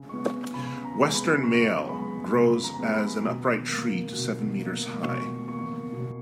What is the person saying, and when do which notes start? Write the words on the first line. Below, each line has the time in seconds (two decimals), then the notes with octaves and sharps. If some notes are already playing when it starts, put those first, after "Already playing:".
Western myall grows as an upright tree to seven metres high.
Already playing: C#3
0.09 G#3 B3 C#6
0.54 C#3 B5
0.85 A#5
0.98 G#3 B3
1.14 B5
1.43 C#3 C#6
1.89 G#3 B3 B5
2.33 C#3 B5
2.64 A#5
2.79 G#3 B3
2.94 B5
3.23 B2
3.69 A#3
4.13 B2
4.59 A#3
5.03 B2 C#6
5.48 A#3 C#6
5.93 B2